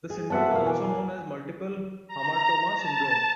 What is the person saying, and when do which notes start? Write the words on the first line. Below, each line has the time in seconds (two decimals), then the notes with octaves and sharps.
The syndrome is also known as Multiple hamartoma syndrome.
0.10 G#4
0.30 B3 C4 F#4 E5 F#5 A5
0.51 F2 B2 E3 A#3 F5
0.66 G#5 D6
2.07 A#5
2.75 A5